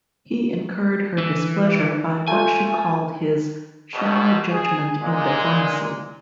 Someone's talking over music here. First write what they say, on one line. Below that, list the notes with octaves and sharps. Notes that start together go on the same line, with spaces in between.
He incurred her displeasure by what she called his "shallow judgement in diplomacy".
E3
A3 F4 C5 G#5
G#1 G#2 B2
G#4
A#2 G#3